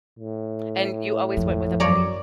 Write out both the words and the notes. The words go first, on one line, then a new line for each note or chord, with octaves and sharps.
And you always went with a buddy?
A2
G#1 F2 F3
F#2 F#3 C#5 D5 A#5